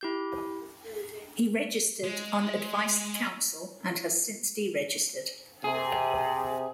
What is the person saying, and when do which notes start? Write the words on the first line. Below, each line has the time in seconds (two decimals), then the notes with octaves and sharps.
He registered on advice of counsel and has since deregistered.
0.01 E4 G4 G6
2.04 G#3
5.64 C3 G#4